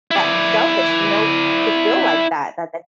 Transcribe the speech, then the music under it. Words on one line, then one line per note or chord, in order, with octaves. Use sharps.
that selfish you know, to feel like that, that that
E4 D5